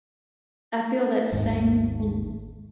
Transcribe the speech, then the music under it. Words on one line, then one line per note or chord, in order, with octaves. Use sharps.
I feel that same thin
G#1 D#2 G#2